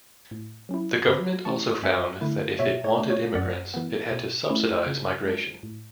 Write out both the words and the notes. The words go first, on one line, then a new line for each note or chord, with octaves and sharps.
The government also found that if it wanted immigrants it had to subsidise migration.
A2
F#3 C#4 E4
G#2 B5 D6
E3 A3 C#4 E4 A5 C#6
F#2 E5 G#5
D3 A3 E4
B2 C#5 E5
C#5
A3 D4
C#5
F#2 D5 F#5
E3 B3
B2
A3 C#4 E4
C#3
G#3 D4
A2